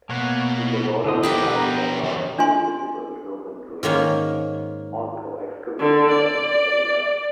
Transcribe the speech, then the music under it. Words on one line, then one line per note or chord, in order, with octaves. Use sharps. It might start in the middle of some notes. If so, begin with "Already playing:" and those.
In the modern town there are no visible Roman ruins, although excavations have been carried out.
B2 A#3 C#5 F#5
D3 B3 E4 A4 C5 D#5
D4 G4 A#4 B4 D#5 F#5
B3 A#5
E3 G4
D4 F4 D#5 G#5 C6
G#2 D#3 A#3 C#4
D3
D5